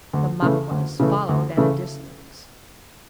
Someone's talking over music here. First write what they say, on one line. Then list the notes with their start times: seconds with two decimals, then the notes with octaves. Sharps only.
The Maquas followed at a distance.
0.13 D2
0.42 C#3 E3 A3
0.71 D2
0.99 C#3 E3 A3
1.29 D2
1.57 C#3 E3 A3